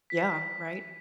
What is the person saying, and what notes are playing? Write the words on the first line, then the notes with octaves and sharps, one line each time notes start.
Yeah, right?
B6